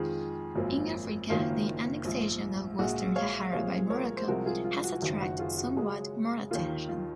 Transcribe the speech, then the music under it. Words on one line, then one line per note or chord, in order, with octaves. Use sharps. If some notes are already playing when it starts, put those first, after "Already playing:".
In Africa, the annexation of Western Sahara by Morocco has attracted somewhat more attention.
Already playing: F2 D#3 G#3 F4 G#4
G#1 F#2 F3 A#3
F#1 F#2 D#3 A#3 F4
A#1 G#2 F3
A#1 A#2 G#3 F#4
C#5 F5
C2 A#2 F3 G#3 C#5 F5
A#4 C#5
C5
C2 C3 F3 G#3 F#4 A#4
F4 G#4
F4
F#4
F#1 F#2 D#3 F#3 F4
F#4
F4 G#4
F#4
F#2 C#3 G#3
D#2 D#3 A#3 F4
F4